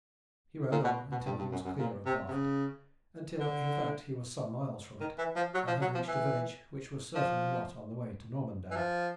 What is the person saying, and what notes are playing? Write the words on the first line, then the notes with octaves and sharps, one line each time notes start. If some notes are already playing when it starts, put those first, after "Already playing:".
He rode on until he was clear of Barford: until, in fact, he was some miles from it, and had reached a village which was certainly not on the way to Normandale.
A#2
B2
B2
G2
G2
F#2
F#2
A#2
C3
C3
C#3
D3
D#3
E3
F3
F#3
F3
F#3
F3
E3
F3
E3
F3